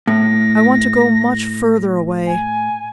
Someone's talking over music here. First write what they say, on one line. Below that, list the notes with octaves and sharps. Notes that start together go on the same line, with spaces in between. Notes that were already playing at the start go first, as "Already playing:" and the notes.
I want to go much further away.
A2 A#6
G#5